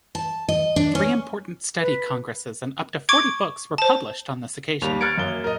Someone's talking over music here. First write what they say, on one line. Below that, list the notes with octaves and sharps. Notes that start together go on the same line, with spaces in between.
Three important study congresses and up to forty books were published on this occasion.
A5
D#5
D4
C#4
B4
C#6 D6 G#6 D7
C5 A5
D#2 G3 F7
F6 F#6 G#6 A6 C#7 D7
F#2 A#3 G7
A#4 D#5